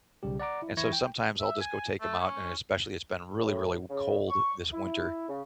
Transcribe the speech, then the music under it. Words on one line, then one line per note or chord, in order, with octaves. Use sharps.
and, so, sometimes I'll just go take 'em out and especially it's been really, really w cold this winter,
B1 C#3 G3 G4
D5 F#5 A#5 D6
E4
E3 E4 C#6 G#6 A#6
G5
E5
G#5
A3
C#4
A2
C#3
C#6
E4
C#3